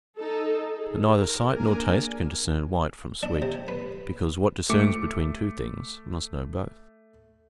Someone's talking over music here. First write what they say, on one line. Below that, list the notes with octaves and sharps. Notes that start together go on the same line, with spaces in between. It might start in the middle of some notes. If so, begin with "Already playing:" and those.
But neither sight nor taste can discern white from sweet: because what discerns between two things must know both.
D#4 A4
G#4
A#4
A#3 D4 G#4 A#4 G#5
D4
C3
B4
A3 D6 C#7